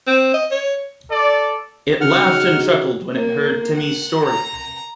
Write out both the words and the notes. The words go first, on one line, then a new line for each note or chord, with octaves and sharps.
It laughed and chuckled when it heard Timmy's story.
C4
D#5
C#5
A4 D5
C#3 D#4 F#4 F#5 F6
A#3
F#5
A#5